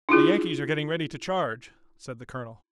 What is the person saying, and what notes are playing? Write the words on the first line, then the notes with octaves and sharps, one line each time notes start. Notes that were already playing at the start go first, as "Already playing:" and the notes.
"The Yankees are getting ready to charge," said the colonel.
D4 E4 F4 G#4